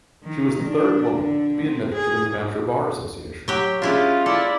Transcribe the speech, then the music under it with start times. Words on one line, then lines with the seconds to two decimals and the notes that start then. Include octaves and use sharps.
She was the third woman to be admitted to the New Hampshire Bar Association.
0.24 D#3
0.64 D4
1.15 D3
1.65 C4
1.95 G#4
3.48 F#3 G4
3.82 G#3 C#4 D4 E4 F4 G4
4.26 E4 A4 D5